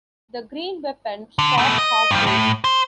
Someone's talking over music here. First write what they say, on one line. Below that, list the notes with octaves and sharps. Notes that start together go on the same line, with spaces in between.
The green weapon stopped half raised.
D3
B2 A3
D#5
G2 F3
A2
C5